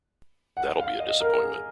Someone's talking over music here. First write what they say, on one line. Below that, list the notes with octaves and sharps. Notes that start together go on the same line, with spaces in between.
That'll be a disappointment.
F#5
F5
D#5
A#4
G#4